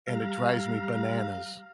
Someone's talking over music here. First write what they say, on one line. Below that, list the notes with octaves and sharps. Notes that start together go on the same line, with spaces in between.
and it drives me bananas.
G3 F5 A#5 F6